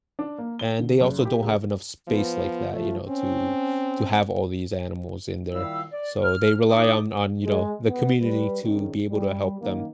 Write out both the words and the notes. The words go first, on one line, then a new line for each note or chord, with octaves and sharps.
and they also don't have enough space like that, you know, to to have all these animals in there, so they rely on on, you know, the community to be able to help them,
D4
A#3
G7
D3
F#1
G4
C#2
F3 B3
F3 A3
C4 C#4
A#2 D#3 G3 E4 F5 E6
D5
F6
F2 D#4 D5 D6 D#6
G#3
B3
G3 B4
G#1 G#2 D#3 C#4
G3
F#2 D#3 A#3